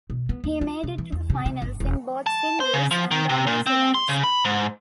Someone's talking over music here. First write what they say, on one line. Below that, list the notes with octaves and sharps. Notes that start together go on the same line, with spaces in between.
He made it to the finals in both the singles and doubles events.
B2
B3
D#2
F4
C3
E3
E2
C3
C3
G1
E1
A5
C5
C#3
F3
D#3
C3
A#2
C4
C6
C#3
B5
G#2